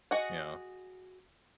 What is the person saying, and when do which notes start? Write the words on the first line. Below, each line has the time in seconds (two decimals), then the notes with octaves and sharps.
you know
0.11 F#4 G#4 D#5 F#5